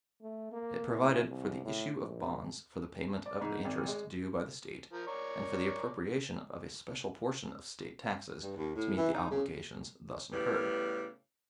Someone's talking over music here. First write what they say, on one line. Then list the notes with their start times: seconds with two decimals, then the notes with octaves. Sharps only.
It provided for the issue of bonds for the payment of the interest due by the State, and for the appropriation of a special portion of State taxes to meet the obligations thus incurred.
0.22 A3
0.52 A#3
0.89 A2
1.28 C2
1.65 A2
2.00 A#1
3.26 D5
3.41 G#2
3.65 G#1
3.87 G#3
4.93 F3 A#4
5.07 A#4 C#5 D5
8.42 G2
8.57 D#2
8.76 A2
8.97 E3
9.13 D#4
9.31 C#3
10.33 A2 C#3 G3 B3